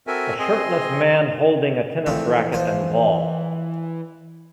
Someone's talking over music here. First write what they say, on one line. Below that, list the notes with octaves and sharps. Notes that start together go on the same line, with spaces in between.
A shirtless man holding a tennis racket and ball.
C4 F#4 A4 A#4 E5 G#5
C4 G#4 D#5 G#5 C6
E3 F3 A3 C4
F3 C5